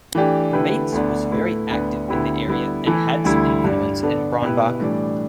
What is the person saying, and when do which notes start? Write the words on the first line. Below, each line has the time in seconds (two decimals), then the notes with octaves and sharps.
Mainz was very active in the area and had some influence in Bronnbach.
0.15 E3 A3 D4 G4
0.53 D3 A3 E4 G4 B4
0.92 D2 D3 B3 D4
1.31 A2 A3 E4 B4
1.70 D2 D3 B3 D4 B4
2.08 D2 D3 B3 E4 G4
2.47 D3 G3 B3 E4
2.86 E3 A3 E4 A4
3.24 D2 D3 G3 E4
3.64 G2 G3 D4
4.02 D3 B3 D4 A4
4.42 B2 B3 E4 G4 B4
4.79 A2 E3 G3 D4